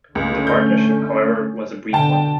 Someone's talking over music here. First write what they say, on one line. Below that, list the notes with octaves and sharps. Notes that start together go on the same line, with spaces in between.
The partnership, however, was a brief one.
C#2 D3 A3 C#4
G6
B2 D3 G5 A5